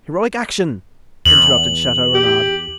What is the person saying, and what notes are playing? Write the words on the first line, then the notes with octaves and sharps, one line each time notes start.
"Heroic action," interrupted Chateau-Renaud.
E2 F#7
G4